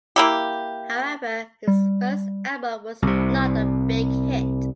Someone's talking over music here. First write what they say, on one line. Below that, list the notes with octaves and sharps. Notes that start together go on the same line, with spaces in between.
However, his first album was not a big hit.
A#3 E4 G4
G3
C2 C3